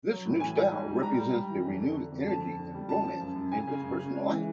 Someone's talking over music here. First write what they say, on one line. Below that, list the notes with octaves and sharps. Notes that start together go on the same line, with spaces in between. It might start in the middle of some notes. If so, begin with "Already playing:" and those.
This new style represents the renewed energy and romance within his personal life.
F#3
A2
E3 G#5
G3
G#2
G3
G3 A#5
G3
G3
E3
F2
D3
D3
F2
F2 A5
F2
D3
G3
F#2 A5
F3
F#2
F#2
C#3 G#5
C#3
F#2
C#3
G#3
E3